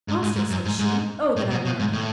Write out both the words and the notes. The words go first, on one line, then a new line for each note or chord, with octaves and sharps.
"Monster!" said she; "oh! that I were a man!"
G#2
G#2
G#2
F#2
G#2
G#2
A2
B2
B2
G#2
A2